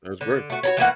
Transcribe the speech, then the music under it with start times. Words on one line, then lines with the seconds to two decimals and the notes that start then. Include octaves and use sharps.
that's great.
0.21 D3
0.50 A3 F#4
0.63 F#4 A#4 C#5
0.77 E3 A3 A#3 F#5